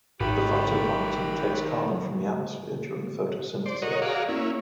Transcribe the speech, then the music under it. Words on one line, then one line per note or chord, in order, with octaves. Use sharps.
The phytoplankton takes carbon from the atmosphere during photosynthesis.
G#1 D#3 G4 B4 B5
C5 D5
F#4 A#4 C#5 D#5
F#4 G#4 D5 F5 A#5
A#3 C#4 E4